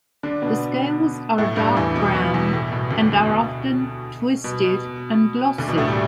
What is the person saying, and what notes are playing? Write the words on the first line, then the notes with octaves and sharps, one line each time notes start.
The scales are a dark brown and are often twisted and glossy.
D3 D4
B2 B3
A2 A3
G2 G3
E2 E3
B2
B2
E2 E3
A2
B2
D2 D3
B2
B2
B2
B2
D2 D3
B2
A2 A3
G3